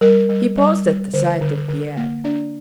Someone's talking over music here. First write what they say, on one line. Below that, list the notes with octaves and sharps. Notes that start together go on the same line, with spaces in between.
He paused at the sight of Pierre.
G3 A#4
G3
G3
G3
D3 C5
D3
D3
A#3
D4 D5